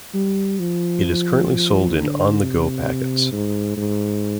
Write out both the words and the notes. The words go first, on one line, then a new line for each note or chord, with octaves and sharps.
It is currently sold in "On The Go" packets.
G3
F3
F3
D3
C3
G#2
G#2